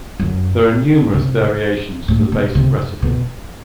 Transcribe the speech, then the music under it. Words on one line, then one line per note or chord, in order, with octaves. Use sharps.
There are numerous variations to the basic recipe.
F#2
C3
A2
B2
C3
B2